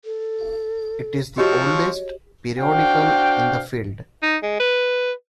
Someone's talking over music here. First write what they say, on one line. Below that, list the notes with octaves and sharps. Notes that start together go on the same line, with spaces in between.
It is the oldest periodical in the field.
A4
F3 C4 F#4 G4 C#5 D#5 C#6
D4 F#4 C5 F5 G5
D#4
G#3
B4